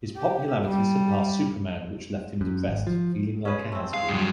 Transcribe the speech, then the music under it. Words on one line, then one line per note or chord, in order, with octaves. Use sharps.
His popularity surpassed Superman which left him depressed, feeling like a has-been.
G4
G3
F#2
G#1
F3
C#4 G#4 B4
G#3
A3 C4
G#3 F5
G2 F#3 G#4